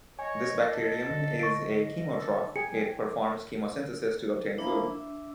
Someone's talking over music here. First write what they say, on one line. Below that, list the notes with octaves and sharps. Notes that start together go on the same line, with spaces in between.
This bacterium is a chemotroph-it performs chemosynthesis to obtain food.
C#5 D#5 G#5
A4
D3
C#6 A6 D7
A4
G#4 G5 G#5 C#7
F3 A#3 D4 E4
E5